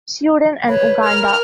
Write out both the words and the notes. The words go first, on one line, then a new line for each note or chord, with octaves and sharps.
Sudan, and Uganda.
B4 C#5
A#4 F6